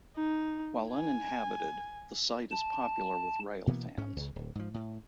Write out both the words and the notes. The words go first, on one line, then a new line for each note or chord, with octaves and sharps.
While uninhabited, the site is popular with railfans.
D#4
G#5
A5
B2 E3 A#3 B3
G#2 C#4
C#2 C#3
D1
G#2 F3
A2